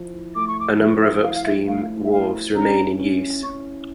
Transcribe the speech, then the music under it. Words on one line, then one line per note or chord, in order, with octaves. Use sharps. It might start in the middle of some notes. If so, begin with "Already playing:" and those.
A number of upstream wharves remain in use.
Already playing: F3 E4
A3 D6
C#6
D6
F3 E5
E5
E4 F5
F5
E5
A3 F5
E5
E4 F5
C#4 A#5
C#4
C#4 C#6